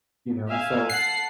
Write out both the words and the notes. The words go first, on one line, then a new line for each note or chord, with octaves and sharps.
You know? So
E5 F5 G#5
F#5 A5 C7